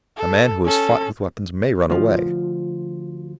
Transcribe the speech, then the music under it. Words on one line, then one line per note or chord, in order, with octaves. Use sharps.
A man who has fought with weapons may run away.
A4
C#4 A4
D2 F3